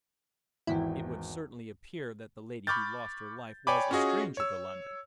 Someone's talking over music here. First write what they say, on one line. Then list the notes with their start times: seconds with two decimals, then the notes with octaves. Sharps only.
"It would certainly appear that the lady who lost her life was a stranger to London."
0.67 G#1 E2 E4 G5
2.67 B5 C#6 D6 F6 G6 A6
3.67 C#5 D5 G5 G#5 B5 D6
3.91 C#4 F4 F#4 G#4 D#5
4.37 C#5 E6